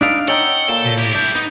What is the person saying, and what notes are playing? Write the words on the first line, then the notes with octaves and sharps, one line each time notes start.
And it's
D4 D#4 A4 B4 D#5 F5 D7
C#4 D#4 A4 C#5 F#5 G5 E6 G7
A#2 A4
E4 G4
D4 G6
B3 D#4